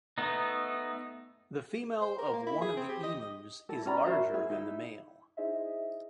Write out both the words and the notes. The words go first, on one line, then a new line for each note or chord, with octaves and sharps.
The female of one of the emus is larger than the male.
A3 B3 D#4
C5
A#4
A#3
E4
G#4
C4
G4
D#5
E4 A4
C#4 D5 A#5 B5
F#4 A#4 C5 E5
E4 G#4 E5
D#4 E4 E5
D#4 E4 G#4 C5 D#5 E5